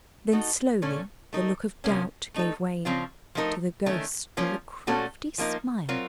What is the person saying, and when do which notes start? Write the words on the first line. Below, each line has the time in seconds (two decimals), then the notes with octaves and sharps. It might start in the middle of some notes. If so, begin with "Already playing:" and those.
Then slowly the look of doubt gave way to the ghost of a crafty smile.
0.32 A3 D#4 F#4 A4
0.82 A#2 A3 C#4 A4
1.33 A3 D#4 A#4
1.84 C3 F3 A#3 C#4
2.34 A3 D#4 A4
2.85 C#3 F3 C4 F4
3.35 F3 A3 D#4 A#4
3.86 D#3 A3 C#4
4.37 F3 A#3 C#4
4.87 A#2 A3 C#4 F#4 A4
5.38 F3 A#3 D#4 A#4
5.89 F#3 C4 F4 A#4